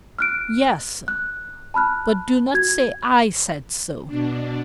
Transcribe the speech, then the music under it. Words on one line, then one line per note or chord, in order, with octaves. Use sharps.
"Yes, but do not say I said so."
F6 F#6 D7
F#6
A5 B5 F6 F#6
F#4 G#6
B2 D4